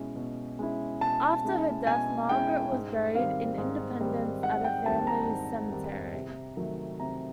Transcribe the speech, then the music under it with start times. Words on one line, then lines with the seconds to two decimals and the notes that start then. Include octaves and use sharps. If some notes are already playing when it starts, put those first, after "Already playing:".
After her death, Margaret was buried in Independence at her family's cemetery.
Already playing: B2 G#3 C#4 E4
0.16 B2
0.59 G#3 C#4 E4
1.01 B2 A5
1.44 G#3 C#4 E4
1.87 B2 G#5
2.29 G#3 C#4 E4 G5
2.72 G#2
3.15 D#3 G3 C4 F5
3.58 G#2
4.00 D#3 G3 C4
4.43 G#2 F#5
4.64 G5
4.86 D#3 G3 C4 A5
5.07 A#5
5.29 G#2
5.72 D#3 G3 C4
6.14 C3
6.57 D#3 F#3 A3
6.99 C3 A#5